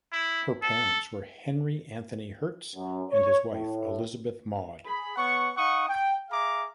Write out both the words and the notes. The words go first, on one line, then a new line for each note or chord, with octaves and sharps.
Her parents were Henry Anthony Hertz and his wife Elizabeth Maud.
E4
A4
F#2
C#5
A2
G#4 B5
B3 C#5 F#5 C#6
D#4 F5 F#5 C#6 D#6
G5
G#4 E5 F5 A#5 D6